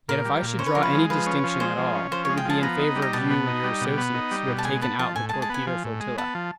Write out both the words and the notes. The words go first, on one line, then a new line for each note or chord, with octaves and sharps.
Yet if I should draw any distinction at all it would be in favor of you and your associates who have taken out the torpedo flotilla.
A#2 A#4
G3
A#2
C#4 C5
B4
F3 A#4
B4
G#3
F3 B4
C#4
F3
G#3 C5
F3
C#4
F3 C5
C#5
G#3
G5
F3 A5
B3 A#5
D#4
G3
A#5
B2 A5
B3
D#4
G3
B2
B3
D#4
G3
B2
A5
G#3 G#5
B3 A5
F3 A5
A2 G#5
G#3 A5
A5
B3 G#5
F3
A2
G#3
B3 A5
F3